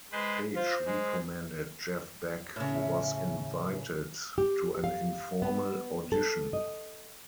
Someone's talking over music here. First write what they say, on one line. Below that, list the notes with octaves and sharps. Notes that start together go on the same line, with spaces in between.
Page recommended Jeff Beck, who was invited to an informal audition.
G#3 B4 C5
F4 C5
G#3
A2 C#3
E5
G4
F5
B3
A4
D#5